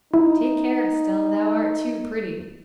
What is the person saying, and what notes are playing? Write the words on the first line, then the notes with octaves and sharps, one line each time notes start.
Take care, Estelle, thou art too pretty!
D#4 E4